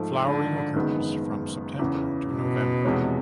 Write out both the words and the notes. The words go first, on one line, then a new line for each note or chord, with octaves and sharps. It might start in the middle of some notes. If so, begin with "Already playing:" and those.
Flowering occcurs from September to November.
Already playing: G#2 F3 A3
D3
F#1 F#2 D#3 G#3 B3
E2 C#3 E3
B2
E2 C3 F3 G#3 C#4